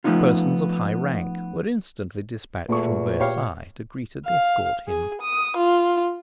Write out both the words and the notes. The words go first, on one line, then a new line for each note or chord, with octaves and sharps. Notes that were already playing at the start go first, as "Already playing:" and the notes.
Persons of high rank were instantly despatched from Versailles to greet and escort him.
F3 A3 B3 C#4 D#4 F4
E2 A#2 A3 A4 C#6
G4 C#5 F5
F5
G#4
D#6
F4